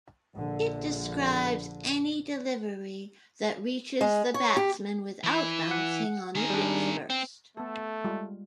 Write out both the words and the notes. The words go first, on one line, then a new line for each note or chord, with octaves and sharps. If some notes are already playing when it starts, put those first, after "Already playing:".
It describes any delivery that reaches the batsman without bouncing on the pitch first.
A#1 D3
G#3
C#5
G4
E3
F#5
D#3 G#4
G3 D4
C4 G5
A3 B3 A4
G3 G#3 F4